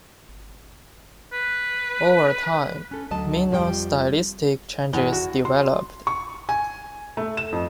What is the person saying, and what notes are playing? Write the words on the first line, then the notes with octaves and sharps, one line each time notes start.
Over time, minor stylistic changes developed.
B4
C#4 A4
D2 F#3 D#5 A5
F2 F3 G3 B4 G5
E2
F#4
C6
C#6
G#5
A3
E7
F2